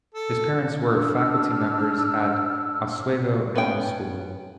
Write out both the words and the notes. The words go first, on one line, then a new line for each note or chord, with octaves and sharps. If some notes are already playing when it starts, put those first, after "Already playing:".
His parents were faculty members at Oswego Normal School.
A4
D4 E6 F6
B3 C#4 G5